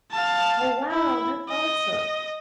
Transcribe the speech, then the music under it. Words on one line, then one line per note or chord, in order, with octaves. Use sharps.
Oh wow, that's awesome.
F5 A5
E4
D#5